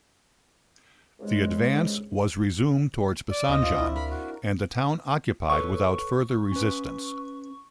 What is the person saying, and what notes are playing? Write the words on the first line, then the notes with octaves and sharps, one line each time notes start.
The advance was resumed toward Pagsanjan and the town occupied without further resistance.
C2 G2 C#3 G#3
D5
D2 C4 G4 D#5
D4 F4
E4
A#4 B5
F#4
A4 B4 C#5 C#6
C#4 B4